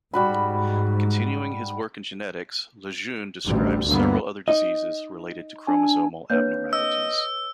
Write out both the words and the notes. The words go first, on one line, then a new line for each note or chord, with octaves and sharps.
Continuing his work in genetics, Lejeune described several other diseases related to chromosomal abnormalities.
G#2 G3 F#4 B5
A1 D2 G3
D2 G2 D3 A#3 B3
D#4 D#5
D4 G#5
A#3 C4 D4 B4 C#5 G6
D#5 E6